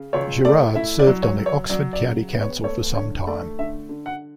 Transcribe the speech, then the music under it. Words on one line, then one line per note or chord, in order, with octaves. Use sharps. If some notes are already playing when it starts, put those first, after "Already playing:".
Gerard served on the Oxford County Council for some time.
Already playing: C#3
C#2 C#5
A3 D5
E4 E5
D5
F#3
C#5
F#3
C#5
F#3 D5
D5
C#3
B3
C#5
A3 C#5
D3 C#5
A3 D5
D3 E5
D3
F#5